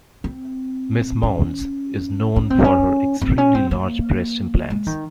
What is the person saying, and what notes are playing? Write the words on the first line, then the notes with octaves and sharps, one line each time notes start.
Ms. Mounds is known for her extremely large breast implants.
C4
C#4
C#4
C4
C#4
C4
C#4
C4
A#3
G#3
D#3